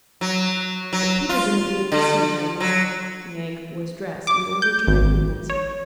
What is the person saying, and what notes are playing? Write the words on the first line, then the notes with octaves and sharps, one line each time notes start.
But Peter didn't need to see how Yank-Yank was dressed in order to recognize him.
F#3
F#3
F4
D3
F#3
D6
G6
G#1
C#5